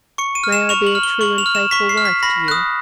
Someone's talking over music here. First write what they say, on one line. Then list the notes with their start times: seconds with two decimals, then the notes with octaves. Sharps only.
"May I be a true and faithful wife to you."
0.18 C#6 C#7
0.35 D#7
0.44 F6
0.52 E7
0.69 C#6 F7
0.87 F#7
0.95 F6
1.03 G7
1.21 C#6 F#7
1.38 F7
1.46 F6
1.55 E7
1.71 C#6 B6
1.89 C7
1.97 F6
2.05 B6
2.23 B5 A#6
2.48 D#6 F#6